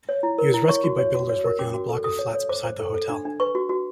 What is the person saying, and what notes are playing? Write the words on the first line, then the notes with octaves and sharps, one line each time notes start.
He was rescued by builders working on a block of flats beside the hotel.
C#5
E4
A#4
E4
C#5 C#6
F#4
C#5
F#4
C#5
A#4
C#4 D6
F#4
A4
A4 D#6
C#5
C#5
C5 D6
C5
A4
A4
D4
D4
B4 C#6
F#4
F#4